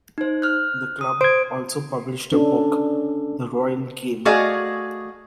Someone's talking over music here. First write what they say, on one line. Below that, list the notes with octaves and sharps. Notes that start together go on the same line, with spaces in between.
The club also published a book, "The Royal Game".
D#4 C5
F6 F#6
D#6
C5 G#6 D7
C#4 D4 A4
A3 F#4 G#4 D5 D#5 F5